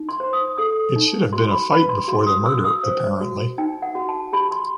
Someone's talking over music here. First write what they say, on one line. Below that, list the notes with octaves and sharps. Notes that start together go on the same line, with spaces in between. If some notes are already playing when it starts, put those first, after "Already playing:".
It should have been a fight before the murder apparently.
Already playing: D#4
C6
C5
D#6
A4 D#6
D#4
F#4 C6
B5
B4 B5
C6
F#4 C6
D#6
F#4 E6
D#6
C5
F#4
D#4 G5
F#5
F#4
A5
G4 B5
C6